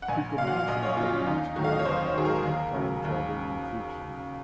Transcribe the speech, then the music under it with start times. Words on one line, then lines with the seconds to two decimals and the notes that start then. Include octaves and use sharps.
Precognition has been explored as a form of time travel in fiction.
0.02 F#5
0.08 A#1 G#5
0.38 A#2 F5
0.43 F#3 F#5
0.57 F5
0.68 A#1 D#5
0.83 C#5
0.97 A#2 F#3 F4
1.12 C#4
1.27 D#2 D#4
1.56 D#3 F#3 F#4
1.64 F5
1.72 D#5
1.79 C#5
1.85 D#2 C5
2.06 C#5
2.15 D#3 F#3 G#4
2.25 A#4
2.45 D#2
2.75 C#3 F#3
3.05 D#2